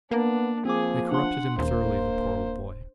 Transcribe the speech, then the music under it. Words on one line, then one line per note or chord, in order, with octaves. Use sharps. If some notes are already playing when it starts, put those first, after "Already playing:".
They corrupted him thoroughly, the poor old boy.
A#3 B3 D4
F3 C4 G#4 D6
D4 F#5 C6
D#1 A#3 C5